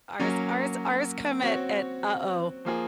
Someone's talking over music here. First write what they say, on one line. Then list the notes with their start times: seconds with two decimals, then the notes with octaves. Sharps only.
Ours ours ours come at at, "Uh-oh."
0.20 F#3 A#3 C#4
1.42 C4 F#4 C#5
2.65 F3 A#3 F4 G#4